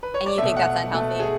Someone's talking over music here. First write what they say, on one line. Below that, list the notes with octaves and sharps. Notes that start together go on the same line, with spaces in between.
And you think that's unhealthy?
B4
C#5
D5
B2 A3 E5
F#5
B2 A3
G#4